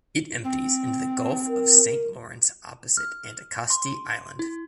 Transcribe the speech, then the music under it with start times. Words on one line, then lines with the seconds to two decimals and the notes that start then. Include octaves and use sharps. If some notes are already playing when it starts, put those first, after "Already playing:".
It empties into the Gulf of Saint Lawrence opposite Anticosti Island.
0.44 C4
1.47 A#4
2.97 F6
3.70 C6
4.39 E4